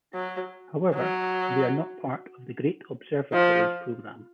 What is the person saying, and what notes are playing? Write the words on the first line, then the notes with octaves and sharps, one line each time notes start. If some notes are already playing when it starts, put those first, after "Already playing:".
However, they are not a part of the Great Observatories program.
F#3
F#3
F3